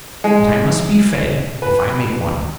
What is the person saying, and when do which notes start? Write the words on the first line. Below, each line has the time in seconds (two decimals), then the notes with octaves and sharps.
"But I must be fed, if I make one."
0.24 G#3
1.62 B4